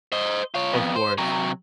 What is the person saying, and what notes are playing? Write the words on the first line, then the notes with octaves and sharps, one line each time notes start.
Of course.
C5 D#5
F4 C#5
F2 B3
C5
C3 F#3